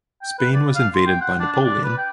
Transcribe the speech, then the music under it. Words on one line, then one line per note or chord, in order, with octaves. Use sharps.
Spain was invaded by Napoleon.
G5
B4
D5
F5
C6
G5
F#5
D4
D4
D5
B4
G5